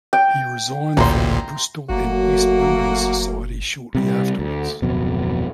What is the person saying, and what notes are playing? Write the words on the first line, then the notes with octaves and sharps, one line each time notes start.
He resigned from the Bristol and West building society shortly afterwards.
G5
A1 D2 A#2 A#5 C6
F#1 F#3 A3 A#3 F#4
C3 G3
D2
D1 F2 B2